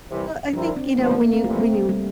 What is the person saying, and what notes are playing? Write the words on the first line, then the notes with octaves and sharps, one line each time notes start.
Uh, I think, you know, when you when you
C2 C3 E3 G3
G2 F3 C4 D4 E4 A#4
C4
G1 G2 F3 A#3
A3
A#3
C4
F2 C3 E3 G3 A3
C4
A3
G3